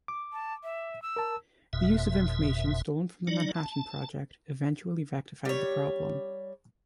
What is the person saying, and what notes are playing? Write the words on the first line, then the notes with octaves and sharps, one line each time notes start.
The use of information stolen from the Manhattan Project eventually rectified the problem.
D6
A5
E5
E6
A#4 A5
F#1 F2 B2 E5
F#3 D#4 D5
A5
G3 C#5